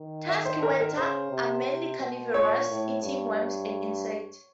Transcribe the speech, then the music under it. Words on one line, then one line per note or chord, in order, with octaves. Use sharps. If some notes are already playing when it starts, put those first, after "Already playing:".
Tusked weta are mainly carnivorous, eating worms and insects.
Already playing: D#3
E5
C5
A#4
A#4
C#3 C5
C3
C3
B2
A#2 C#5
A2
G2